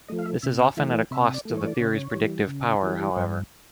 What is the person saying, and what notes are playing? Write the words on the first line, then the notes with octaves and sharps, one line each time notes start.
This is often at a cost to the theory's predictive power, however.
F3 A3 D#5
F5
E5
C3 E5
F5
E3 A3 E5
C3 E5
D5
E3 A3
C#5
D5
C#3 C#5
E3 G3
C#3
E3 G3
G2 C5